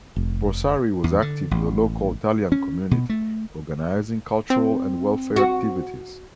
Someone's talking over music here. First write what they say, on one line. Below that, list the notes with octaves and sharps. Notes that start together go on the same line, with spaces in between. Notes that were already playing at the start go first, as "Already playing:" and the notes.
Borsari was active in the local Italian community, organising cultural and welfare activities.
F1
E2
D3
A1
C#4
B2
A3
C4
F#4